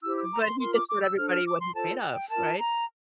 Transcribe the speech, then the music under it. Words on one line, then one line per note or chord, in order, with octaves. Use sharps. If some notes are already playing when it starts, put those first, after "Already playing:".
But, he just showed everybody what he's made of, right?
E4 G4 C5 E6
E6
D6
A#5
C6
F4 A#4 C6
D6
D6
E6
D4 A4 C5 F6
F6
D6
C6
F4 A4 C5 A5
G5
F4 A#4 A5
A#5